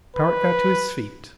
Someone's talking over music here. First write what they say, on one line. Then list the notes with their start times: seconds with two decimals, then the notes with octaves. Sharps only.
Powart got to his feet.
0.16 B4